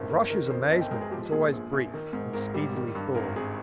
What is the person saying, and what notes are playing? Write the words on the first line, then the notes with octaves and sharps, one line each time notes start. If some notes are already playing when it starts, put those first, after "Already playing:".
Gavroche's amazement was always brief and speedily thawed.
Already playing: G1 F2 D#3 C5
A#3
D#3 A#4
F2 C5
G1 D#5
G5
G#3 A#4
G#4
F3 G4
A#2 G#4
A#1
A#1
D#3
G#2
G#1 A#4
G3
D#3
G2
G#1 A#4
G#1 G#4